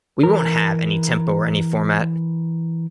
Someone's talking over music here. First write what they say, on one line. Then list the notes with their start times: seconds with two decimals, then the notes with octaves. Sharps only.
We won't have any tempo or any format.
0.23 E3 A#4